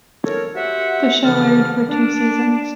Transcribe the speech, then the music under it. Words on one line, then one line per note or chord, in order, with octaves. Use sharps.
The show aired for two seasons.
A4 A#4 C#5
F#4 G4 C5 E5 F#5
D2 C#3 E3 F3 A5 F6
D4